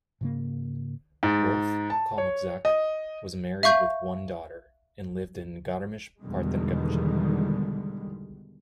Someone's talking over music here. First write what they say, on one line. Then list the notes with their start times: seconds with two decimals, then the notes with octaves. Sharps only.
Rolf Kalmuczak was married with one daughter and lived in Garmisch-Partenkirchen.
0.21 G#2 C#3 A#3
1.23 G#2
1.90 A5
2.18 C#5
2.65 D#5
3.63 E5 F5 C#6 G6
6.21 E2 B2 D3 D#3 G3 G#3